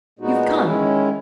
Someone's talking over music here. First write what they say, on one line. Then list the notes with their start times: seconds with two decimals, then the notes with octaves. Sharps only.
You've come.
0.19 A#2 G#3 B3 D#4 F#4
0.65 D#3 G#3 C#4 E4